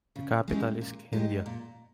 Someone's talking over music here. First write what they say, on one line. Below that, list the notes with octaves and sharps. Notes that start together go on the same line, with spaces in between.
The capital is Kindia.
C#3
G#3 C#4 E4 G4
A#2
G#3 D#4 G4
A#2